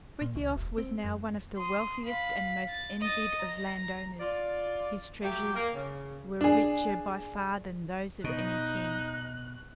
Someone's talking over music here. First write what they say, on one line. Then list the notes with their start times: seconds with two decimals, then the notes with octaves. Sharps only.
Frithiof was now one of the wealthiest and most envied of land-owners. His treasures were richer by far than those of any king.
0.22 A#2
0.36 C#2
0.56 E1
0.78 C4
1.04 F#2
1.57 C6 D#6
2.06 F5 B5
2.69 A6
3.01 D#5 A6
3.39 A#5 A#6
4.20 F4 D5
5.22 F#3 A3 G4
5.55 A#3
5.74 C#3
6.41 D4 G#4
8.24 B2 D#4 D#5 F#6